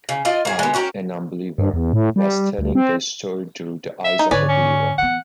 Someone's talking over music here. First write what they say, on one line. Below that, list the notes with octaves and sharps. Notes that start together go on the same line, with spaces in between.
I, a non-believer, was telling the story through the eyes of a believer.
C#3
F4 D5 D#5
A#3 G#4
G#3 B3
C#4 F#4 G4 A#4
G2
E2
A2
G3
D2
C4
E5
D#4
G#2 D3 B4 C#5 D5 G#5
C#4
E3 B3 F#5